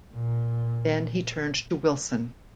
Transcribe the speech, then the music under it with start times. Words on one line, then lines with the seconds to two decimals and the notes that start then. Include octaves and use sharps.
Then he turned to Wilson.
0.14 A#2